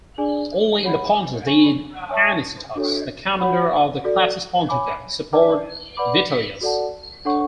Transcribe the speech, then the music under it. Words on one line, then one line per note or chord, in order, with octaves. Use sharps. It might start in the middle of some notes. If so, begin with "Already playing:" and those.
Only in the Pontus did Anicetus, the commander of the "Classis Pontica", support Vitellius.
D4 G#4 D5 G#5
G#4 C#5 F#5 B5
C#5 G#5 C#6
C#5 E5 A5 C#6
D4 F#4 A4 C#5
F#4 C#5 F#5 B5
F#4 A4 D5
C#5 G#5 B5 D6
B4 D5 A5 D6
B4 D5 F#5 B5 D6
F#4 A4 D5 F#5 A5
D4 A4 C#5 F#5 C#6